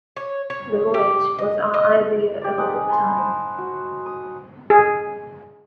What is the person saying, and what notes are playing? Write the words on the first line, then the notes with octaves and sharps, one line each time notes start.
The voyage was our idea of a good time.
C#5
C#5
G4
D#5
D#5
G4 D5
C4 D#4 G#4 F#5
G#5 A5 B5 C6
A#4 C5
F#4
D#6
G#4